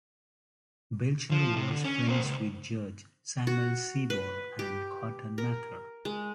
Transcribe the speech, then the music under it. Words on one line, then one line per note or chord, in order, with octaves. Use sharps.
Belcher was friends with Judge Samuel Sewall and Cotton Mather.
F3
C3
D3
C#4
A#3 C5
C#2
F#4
B4
G4
A#4
G#3